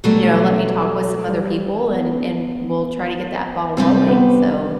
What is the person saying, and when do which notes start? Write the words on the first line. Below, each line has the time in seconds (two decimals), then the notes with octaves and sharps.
you know, let me talk with some other people, and and we'll try to get that ball rolling." so
0.04 B2 F#3 G3 A3
1.29 G3
1.91 B3
3.77 C3 G3 C4 D4 G4 B4
4.08 B3